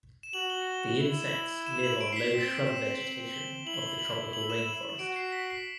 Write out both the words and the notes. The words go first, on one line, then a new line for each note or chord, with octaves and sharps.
The insects live on low shrub vegetation of the tropical rainforest.
E7
F#4 F#7
G7
G7
G7
E4 F#7
E7
F#7
E7
F#7
D7
C7
B6
C4 B6
D7
E7
F#7
E7
C4 F#7
F#7
G7
E4 F#7
G7
F#7
F#7
F#7
E7
F#7
F#7
F#4 D7
C7
B6
C7